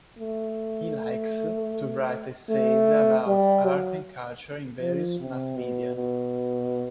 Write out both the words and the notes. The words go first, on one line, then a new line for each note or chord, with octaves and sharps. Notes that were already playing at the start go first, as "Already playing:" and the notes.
He likes to write essays about art and culture in various mass media.
A3
A3
G3
F#3
F3
C3
B2
B2